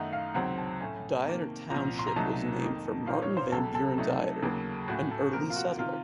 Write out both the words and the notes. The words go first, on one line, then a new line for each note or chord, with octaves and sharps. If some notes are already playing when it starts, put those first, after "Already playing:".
Dieter Township was named for Martin Van Buren Dieter, an early settler.
Already playing: F#2 D#3 A3 D#4 F#5
F5
C#2 C3 D#3 F#3 C4 F#5
A5
A2 A3 C#4
C3 D#3 A#3
C2 A#2 F3 A#5
C6
A#5
C2 C3 F#3 A3 D#4 A5
F2 D#3 A#3 D#4
A#2 F3 A#3 D#4 F5
C#5
C5
C#2 C#3 F#3 A4
A4
C3 F#3 A3 D#4
D#2 C#3 F#3 A#3
A2 A3 C#4 F#4
A4
C3 F3 A#3 A#4
F4
F#4
C3 D#3 F4